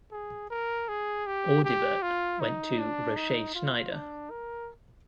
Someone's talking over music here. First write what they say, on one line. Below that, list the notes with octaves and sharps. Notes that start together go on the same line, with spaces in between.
Audibert went to Rochet-Schneider.
G#4
A#4
G#4
G4
G4
F4
D#4
D4
D#4
F4
D4
A#4